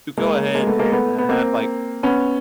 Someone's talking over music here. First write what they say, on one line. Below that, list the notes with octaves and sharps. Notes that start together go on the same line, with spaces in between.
You go ahead and, uh, have, like
G#3 A#3
G#3 A#3
A3 B3
G#3 A#3
A3 B3
B3
A#3 C4
B3 C#4